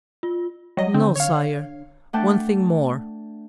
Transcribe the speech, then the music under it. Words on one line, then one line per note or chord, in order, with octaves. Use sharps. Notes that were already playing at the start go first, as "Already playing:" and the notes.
"No, sire, one thing more."
F4
F#3 G3 D#5
D3 C4
C#5 F5
A3 D4 F#5 G5 A5